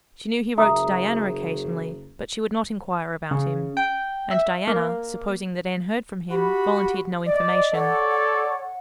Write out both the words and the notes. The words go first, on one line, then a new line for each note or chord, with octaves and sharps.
She knew he wrote to Diana occasionally, but she would not inquire about him; and Diana, supposing that Anne heard from him, volunteered no information.
F#1 E5 A#5 D#6
C#3
G5
E5
A#3
F#4 G4 B5
D5 D#5
A4 C#5 D5 F#5
F#5